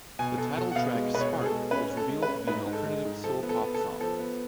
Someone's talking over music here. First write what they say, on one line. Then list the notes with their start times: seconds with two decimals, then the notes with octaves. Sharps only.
The title track "Spark" was revealed to be an alternative soul pop song.
0.19 B2 G#5
0.37 B2 A4
0.57 B2 A4
0.72 F#5
0.76 B2 F5
0.95 G#3
1.14 B2 B4
1.20 C#5
1.33 B2
1.41 G#4
1.46 A4
1.52 G#3
1.71 C#4 B4
1.90 C#4
1.97 A4
2.09 G#3
2.23 B4
2.28 C#4
2.47 G#2 B4
2.66 G#2
2.73 A4
2.86 G#3
3.05 G#2
3.24 F3 A4
3.43 B3
3.49 A4
3.62 B3
3.74 A4
3.81 B3
4.00 F3 A4
4.19 B3